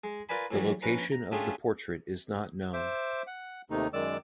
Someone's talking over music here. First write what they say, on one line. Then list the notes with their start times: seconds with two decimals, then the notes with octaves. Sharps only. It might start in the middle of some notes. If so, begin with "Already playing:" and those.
The location of the portrait is not known.
0.04 G#3
0.29 F4 A#4 B4 D5 G#5 B5
0.51 A2 E3 F#3 G3
0.82 A#1 C#4 B4 A#5
1.12 A#5
1.32 D3 A3 C#4 F4 G4 G#4
2.73 C5 E5 D6
3.27 F#5
3.70 D#2 C3 D#3 A3 D#4
3.93 F#2 D#3 G#3 D5 D6 E6